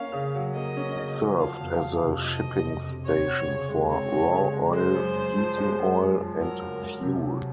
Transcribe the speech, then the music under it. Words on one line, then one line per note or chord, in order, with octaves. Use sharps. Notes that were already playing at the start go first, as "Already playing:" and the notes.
It served as a shipping station for raw oil, heating oil, and fuel.
Already playing: A#3 C#4 F5
C#3
F#3
A#3 D#5
C#4
C#3
F#3
F3 F5
F2
F2
C3
F3 D#5
F2
F2
C3
C4 C#5
F#4
C#3
G#3
C4 C#5
F#4
C#3
G#3
G#3 C5
F#2
F#2
F3
G#3
F#2
F#2
F3
F#3 A#4
C#2
C#2
C3
F#3